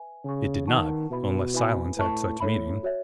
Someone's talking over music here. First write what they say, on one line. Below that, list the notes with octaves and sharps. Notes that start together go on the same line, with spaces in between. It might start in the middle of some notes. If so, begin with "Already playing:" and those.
It did not,--unless silence had such meaning.
Already playing: B4 E5 G#5
C#3 C#5 G#5 C#6
D#3 B4 F#5 A5 C#6
B2 E4 B4 E5 B5
E4 B4 E5 G#5 B5
A2 B4 E5 A5 C#6
A2 A4 C#5 E5 B5
F#4 C#5 E5